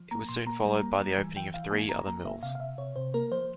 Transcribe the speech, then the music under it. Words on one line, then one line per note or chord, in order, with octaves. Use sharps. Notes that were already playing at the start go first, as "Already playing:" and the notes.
It was soon followed by the opening of three other mills.
Already playing: F3
A#3 A#5
A#2 C6
A#3 A#5
G3
A#3
G3
E3 G#5
E3 G5
E3 F5
A#3 G#5
A#3 A#5
A#3 A#5
A#3 E5
C3 F5
F5
C3 E5
C3 C#5
C3 C5
A#3 A#4
F3 C5